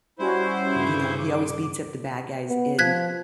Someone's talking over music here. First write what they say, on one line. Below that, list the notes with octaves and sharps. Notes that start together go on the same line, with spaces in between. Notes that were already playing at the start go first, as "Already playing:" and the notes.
you know, he always beats up the bad guys in
G3 C#4 E4 F#4 C5
G2 C#3
D6
B3
F3 F#6 G#6 B6